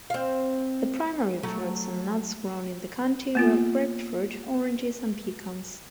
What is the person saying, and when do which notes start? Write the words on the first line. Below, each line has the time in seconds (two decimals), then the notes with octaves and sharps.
The primary fruits and nuts grown in the county were grapefruit, oranges, and pecans.
0.10 C4 F5
1.43 F#3 A3
3.35 A#3 B3 F4